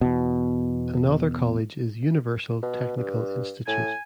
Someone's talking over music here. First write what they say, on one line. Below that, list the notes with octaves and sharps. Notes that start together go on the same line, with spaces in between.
Another college is Universal Technical Institute.
E2 B2
B2
G2
A2 G#5